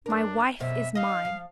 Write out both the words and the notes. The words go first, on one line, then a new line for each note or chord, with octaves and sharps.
My wife is mine.
F#2 D4 A#4
F#2 B2 C4 E5
D#4 D#5 F5
F3